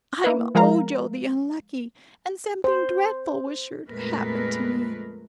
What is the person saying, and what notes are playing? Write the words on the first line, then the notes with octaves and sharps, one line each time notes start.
"I'm Ojo the Unlucky, and something dreadful was sure to happen to me."
A#3 E4 B4
F3 G#3 A#4 F5 A#5
C5
F2 A#2 G#3 A3 A#4 B4